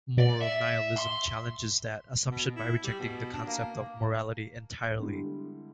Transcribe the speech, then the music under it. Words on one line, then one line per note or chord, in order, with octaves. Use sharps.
Moral nihilism challenges that assumption by rejecting the concept of morality entirely.
D5
E5
C6
B2
E4
G3
B2
D4
A#3
D3 E3 G3 G#3